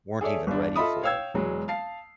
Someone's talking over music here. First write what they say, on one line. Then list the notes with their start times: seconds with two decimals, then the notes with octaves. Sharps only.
weren't even ready for
0.21 G#4 A4 C#5 D5 E5
0.47 G1 D4
0.76 F4 A4 D#5 E5 B5 D#6
1.03 C#5 F5 G5 E6 G#6
1.34 E1 F#3 G#3
1.68 F5 A5 C7